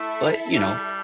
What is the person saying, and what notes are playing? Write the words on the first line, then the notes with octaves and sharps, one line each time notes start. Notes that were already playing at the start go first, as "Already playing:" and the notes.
But, you know,
Already playing: A3 E4 A4 E5
G3